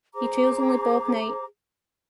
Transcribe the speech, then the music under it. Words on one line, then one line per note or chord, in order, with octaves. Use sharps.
He trails only Bob Knight.
G#4 C5 A#5 D6